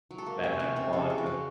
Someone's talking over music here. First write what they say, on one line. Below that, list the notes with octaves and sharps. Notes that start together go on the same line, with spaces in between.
that had one
F#3
A4
A#3
C3 C#4
C3 C#4
C3 C#4
C#3 A4
C#3
F#4
C#3